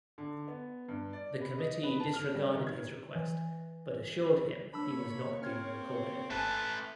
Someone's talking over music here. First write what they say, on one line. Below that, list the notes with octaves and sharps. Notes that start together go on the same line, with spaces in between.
The committee disregarded his request but assured him he was not being recorded.
D3
B3
G2
D5
B4
D#5
B4
A5
F6
G3
D#3
G#6
E3
A#3 D4 C#5 B5 C#6 E6
C4 C#4 F6 G#6
G1 A3 B4 G#5 A5 F6 G6